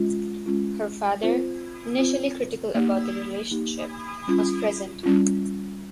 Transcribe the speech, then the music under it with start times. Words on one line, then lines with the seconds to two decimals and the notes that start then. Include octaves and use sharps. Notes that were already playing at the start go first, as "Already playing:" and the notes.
Her father, initially critical about their relationship, was present.
Already playing: G#3 C#4 F4
0.46 G#3 C#4 F4
1.22 C4 F4 C5
1.98 C4 F4 C5
2.75 A#3 D#4 G4
3.51 A#3 D#4 G4
4.27 G3 C#4 F4
5.03 G3 C#4 F4